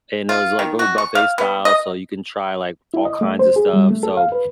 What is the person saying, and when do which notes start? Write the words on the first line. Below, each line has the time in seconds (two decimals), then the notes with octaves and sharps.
and it was, like, really buffet style, so, you can try, like, all kinds of stuff. So,
0.29 F4
0.59 D#3
0.79 F#4
0.98 C#6
1.15 F5
1.38 B3
1.65 D#5
2.94 E4
3.05 D#5
3.21 A3
3.39 C5
3.56 G#4
3.73 G3
3.90 A3
4.03 A4
4.17 F5
4.32 B4